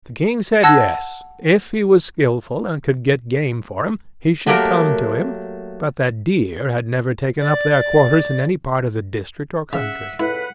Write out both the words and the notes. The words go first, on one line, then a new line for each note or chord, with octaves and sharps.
The king said yes, if he was skilful and could get game for him, he should come to him, but that deer had never taken up their quarters in any part of the district or country.
F#5 A5 E6 F#6 G#6 A#6
F#3 A3 A#3 G4 A4 A#4
D5
C#3 E5 F#5
C#2 E4 A4 B4 F#5